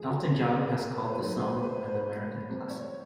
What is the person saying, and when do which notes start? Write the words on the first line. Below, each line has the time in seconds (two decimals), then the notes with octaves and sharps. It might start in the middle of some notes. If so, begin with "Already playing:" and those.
Elton John has called the song an American classic.
Already playing: D3 F3 A3 G#4
0.10 F#4
0.33 G#4
0.54 G#4
0.68 B4
0.76 A#4
0.97 B4
1.05 C5
1.13 B4
1.19 D#3 F#3 A#3 C5
1.29 B4
1.37 C5
1.46 B4
1.53 C5
1.63 B4
1.70 C5
1.78 B4
1.87 C5
1.94 B4
2.49 C3 E3 G3 C5
2.70 C#5